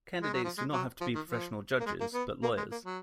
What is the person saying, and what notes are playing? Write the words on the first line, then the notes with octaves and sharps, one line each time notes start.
Candidates do not have to be professional judges, but lawyers.
G#3
F#3
F3
G#3
F#3
F3
D#3
F3
A#3
G#3
A#3
B3
A#3
G#3
A#3
F#3